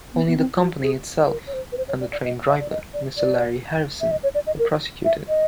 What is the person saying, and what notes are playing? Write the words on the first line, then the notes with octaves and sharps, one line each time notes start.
Only the company itself and the train driver, Mr Larry Harrison, were prosecuted.
B3
B3
C4
F4
F#4
G#4
B4
A#4
C#5
C5
B4
C5
C#5
D5
D5
D#5
E5
D5
D#5
D5
D5
E5
D#5
C#5
D5
D#5
A#4
E5
D#5